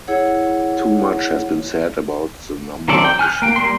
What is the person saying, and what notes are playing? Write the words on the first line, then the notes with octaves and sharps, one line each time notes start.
Too much has been said about the number issue.
E4 G#4 C#5 F#5
D#3 F#3 C4 A4 D5
G5
G#5 F6 F#6
A#3 G5
G3 A#3 C6